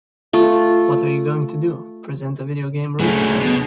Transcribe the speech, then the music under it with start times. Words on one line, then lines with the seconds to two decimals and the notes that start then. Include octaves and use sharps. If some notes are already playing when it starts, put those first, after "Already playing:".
What are you going to do, present a video game root canal?
0.33 A3 F4
3.00 D2 C#3 F#3 A3
3.39 B2